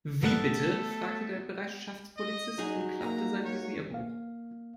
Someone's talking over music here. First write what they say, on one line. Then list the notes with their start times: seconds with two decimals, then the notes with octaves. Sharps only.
"Wie bitte?", fragte der Bereitschaftspolizist und klappte sein Visier hoch.
0.23 G#2 G3 A3 B3 A4 F#6
2.17 D#5
2.58 F#3 D#4 F#4 G#4
3.00 A#3 A#5
3.44 C#5
3.92 A#3 F5